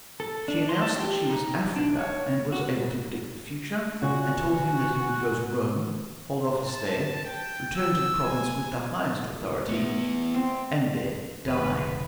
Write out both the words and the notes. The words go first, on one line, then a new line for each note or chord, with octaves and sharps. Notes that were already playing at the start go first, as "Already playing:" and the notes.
She announced that she was Africa, and was able to predict the future, and told him that he would go to Rome, hold office there, return to the province with the highest authority, and there die.
A4
D4
C6
A5
G4
D#4
D4
C#5
F#4
A#2 C#3 F#4 G#5
A5
G5
E6
G#5
A3 B3 E4
C4
F1 G#2 B2 D3 B4